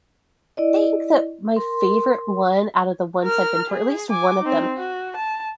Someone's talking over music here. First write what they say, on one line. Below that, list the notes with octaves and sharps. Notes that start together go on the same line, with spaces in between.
think that my favorite one, out of the ones I've been to or at least one of them,
E4 D5 D#5
A#4 C6
A#4 F6
G#4
G#5 D6
C4 D#4
F#4
A5